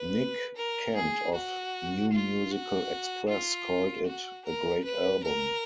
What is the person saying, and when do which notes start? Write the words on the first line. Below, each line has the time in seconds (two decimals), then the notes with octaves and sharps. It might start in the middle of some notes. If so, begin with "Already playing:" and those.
Nick Kent of "New Musical Express" called it "a great album".
Already playing: B4
0.56 A#4
0.96 G#4
1.35 F#4
2.13 F4
2.51 F#4
3.29 F4
4.06 F#4
4.45 A#4
4.85 B4
5.24 A#4